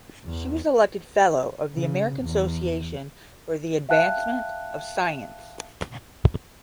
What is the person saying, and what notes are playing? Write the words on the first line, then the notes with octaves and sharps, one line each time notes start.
She was elected Fellow of the American Association for the Advancement of Science.
E2
C#3
E2
E5 F5 G5 A5 F#6